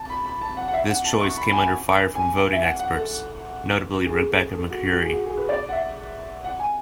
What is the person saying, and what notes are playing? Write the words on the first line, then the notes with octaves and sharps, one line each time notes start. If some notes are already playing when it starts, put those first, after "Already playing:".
This choice came under fire from voting experts, notably Rebecca Mercuri.
Already playing: A5
B5
B5
A5
F#5
F#5
E5
F#5
A5
C#6
B5
G#5
G#5
E5
F#5
F#5
A4
G#4
A4
A4
F#4
F#4
G#4
F#4
G#4
B4
D5
F#5
E5
F#5
G#5